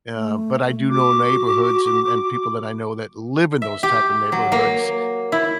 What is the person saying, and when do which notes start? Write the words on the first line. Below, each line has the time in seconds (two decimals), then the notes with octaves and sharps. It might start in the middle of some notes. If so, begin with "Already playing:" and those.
uh, but I do know neighborhoods a and people that I know that live in those type of neighborhoods,
0.15 A3
0.90 F#4 D6
3.62 E5
3.83 G4
4.32 F#3
4.52 A#3
5.32 E4